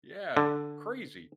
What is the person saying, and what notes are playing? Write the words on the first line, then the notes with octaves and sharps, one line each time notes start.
Yeah, crazy.
D3